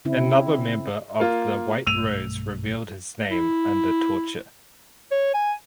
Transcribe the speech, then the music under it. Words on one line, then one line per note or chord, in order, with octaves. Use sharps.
Another member of the White Rose revealed his name under torture.
C#3 C4 E4
A#3 F4
B1 G2 A3 E6 D#7 F7
E4
C#5
G#5